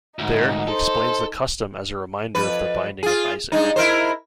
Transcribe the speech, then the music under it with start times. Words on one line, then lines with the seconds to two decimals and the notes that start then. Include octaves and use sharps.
There, he explains the custom as a reminder of the binding of Isaac.
0.19 D2 G#2 D#4
0.68 A4 C5
2.35 F2 B4
3.03 F4 G#4
3.52 G2 G#3 D#4
3.76 E4 A#4 C5